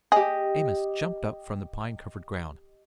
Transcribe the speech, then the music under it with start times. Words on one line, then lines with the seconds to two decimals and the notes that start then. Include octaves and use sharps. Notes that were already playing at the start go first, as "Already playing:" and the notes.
Amos jumped up from the pine-covered ground.
0.12 G4 G#4 D#5